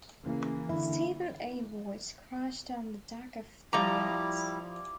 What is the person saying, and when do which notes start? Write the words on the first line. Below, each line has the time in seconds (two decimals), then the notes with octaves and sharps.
Steven E. White, crashed on the deck of the "Nimitz".
0.24 C#3 E3 A#3
0.69 D3 E4
3.73 F3 G3 E4 A#5 D6